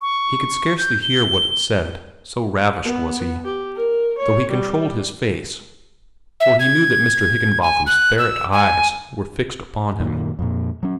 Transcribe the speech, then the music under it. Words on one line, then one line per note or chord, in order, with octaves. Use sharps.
He could scarcely hear what it said, so ravished was he, though he controlled his face, for he knew that Mr. Higginbotham's ferret eyes were fixed upon him.
C#6
G6
G7
B3
G4
A#4
C#5
G3
E5
G#6
G#5
F#6
E6
G#5
F#2 A#2 D#3
F2 A#2
F#3 C#4